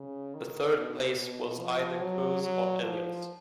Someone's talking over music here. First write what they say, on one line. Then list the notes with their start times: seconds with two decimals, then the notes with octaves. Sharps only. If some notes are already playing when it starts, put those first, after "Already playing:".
The third place was either Coe's or Elliott's.
Already playing: C#3
0.35 D#3
0.76 B2
1.17 B2
1.59 F3
2.01 F#3
2.42 F#3
2.83 F3